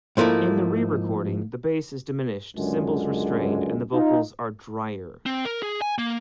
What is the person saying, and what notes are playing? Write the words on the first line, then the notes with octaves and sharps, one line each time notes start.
In the re-recording the bass is diminished, cymbals restrained, and the vocals are "drier".
G#2 F3 A3 A#3 E4
C#2 F#2 D3 G#3
D#4 F4
C4
A#4
G#4
G#5
A#3